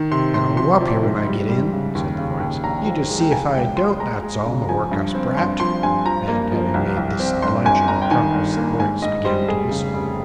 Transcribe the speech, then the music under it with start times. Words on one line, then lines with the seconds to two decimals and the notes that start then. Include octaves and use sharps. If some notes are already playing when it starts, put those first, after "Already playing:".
'Then I'll whop yer when I get in,' said the voice; 'you just see if I don't, that's all, my work'us brat!' and having made this obliging promise, the voice began to whistle.
Already playing: D#3
0.11 C3 C6
0.34 C3 C6
0.57 F3 C6
0.81 F3
1.03 G#2
1.26 G3
1.49 G3
1.72 C#3
1.95 D#2
2.18 C#3
2.40 D#2
2.63 A#1 A#5
2.86 F3
3.09 G#3
3.21 G5
3.32 C#2 G#5
3.55 C#2 G5
3.77 C#2 C6
4.00 G#3 A#5
4.23 G#3
4.46 C#3
4.69 F3 G#5
4.91 G2
5.14 C4
5.37 G2 C6
5.60 F3 C6
5.83 G2 G#5
6.06 F3 A#5
6.28 A#3
6.52 F3
6.74 C2
6.97 C2
7.19 C4
7.42 G1 C6
7.65 G1 G#5
7.88 G1 A#5
8.02 G5
8.11 D#3 G#5
8.34 G1
8.57 A#3
8.79 G#2 G#5
9.02 G#2 D#5
9.25 G3 C5
9.48 F1 G#4
9.71 C#3
9.93 F1